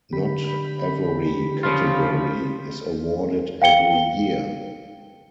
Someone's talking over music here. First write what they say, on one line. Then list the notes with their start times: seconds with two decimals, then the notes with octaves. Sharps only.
Not every category is awarded every year.
0.13 D3 G4 B5
1.63 C#3 F3 F4
3.62 F5 G5 C#7 G7